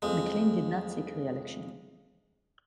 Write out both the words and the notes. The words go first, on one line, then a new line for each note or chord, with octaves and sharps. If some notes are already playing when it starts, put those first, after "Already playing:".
McLean did not seek re-election.
F2 G#3